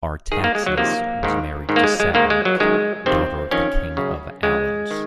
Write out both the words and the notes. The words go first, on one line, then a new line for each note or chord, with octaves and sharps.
Artaxias was married to Satenik, daughter of the king of Alans.
G#2 D#3 G#4
A#3
G#3
F#3
F2 C3 D#3 A#3
G#2 D#3
G#2 D#3
A#3
G#3
G#3
G#2 D#3 A#3
G#3
F#3
F#2 D#3 G#3
F2 C3 D#3 C4
F2 D#3 C#4
F#2 C#3
F2 C#3 G#3
D#3